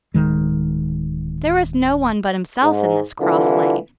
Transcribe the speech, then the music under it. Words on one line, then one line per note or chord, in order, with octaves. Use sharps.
There was no one but himself in this cross-lane.
D1 D#3 G#3
G#2
C2 D3 E3 F4